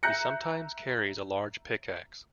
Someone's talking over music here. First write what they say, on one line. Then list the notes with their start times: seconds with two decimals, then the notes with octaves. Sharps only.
He sometimes carries a large pickax.
0.03 E5 A#5 F#6 G6 A#6 C#7